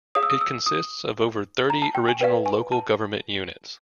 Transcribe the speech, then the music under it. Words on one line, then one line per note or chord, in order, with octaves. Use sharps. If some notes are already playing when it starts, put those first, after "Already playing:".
It consists of over thirty original local government units.
G#4 C#5 F5 D#6
E6
D#6
E6
D#6
A#5
A5
G5
G#5
B4 D5 F5 G5
G#5
A5